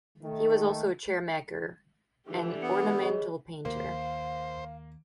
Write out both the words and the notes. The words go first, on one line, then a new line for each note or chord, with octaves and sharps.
He was also a chairmaker and ornamental painter.
D#3 A3
D3 E3 G4
B3 C#7
G#4 C#5 D#5
D#2 A#3 C5 F5